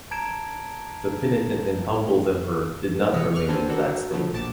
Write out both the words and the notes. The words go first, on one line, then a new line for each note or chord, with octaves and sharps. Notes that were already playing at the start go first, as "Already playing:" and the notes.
The penitent and humbled emperor did not remain in that state.
A5 A#5 G#6 D7 E7
C3 E3 D#5 F6 B6 C#7
C#6 D6 F6 F#6
B3 C4 D4 A4 C5 G#5
D4 F#4 A4 A#4
B2 F3 F#3 A3
A#1 A5 D6 A6